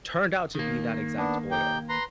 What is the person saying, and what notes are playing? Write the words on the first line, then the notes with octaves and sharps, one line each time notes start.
turned out to be that exact oil,
D#3 A#3
B3 D4
D#4 G4 G5
B4 A#5 C6